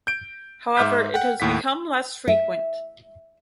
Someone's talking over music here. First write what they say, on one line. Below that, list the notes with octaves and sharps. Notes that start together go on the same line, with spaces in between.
However it has become less frequent.
G6 D7
G#2 E5 D6 F6 G6 B6
F#5 G5
D#2 A2 F#5 B6
E5